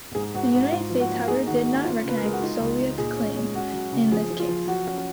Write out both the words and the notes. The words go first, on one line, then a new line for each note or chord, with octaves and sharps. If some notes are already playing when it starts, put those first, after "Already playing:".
The United States however did not recognize the Soviet claim in this case.
G#2 G#4
G#2 F#4
G#2 F#4
G#2 F4
F3
F#4
A#3
D#4 G#4
D#3 F#4
A#3 F#4
C#4 F4
C#3
B4
A#4
G#3 G#4
F#4
D#4 F4
C#2
D#4
A#2 G#4
C#4
G#3
C#4 F#4
F#3
C#3
F3 G#4
F3
F4
F3
F#3 F#4
C#4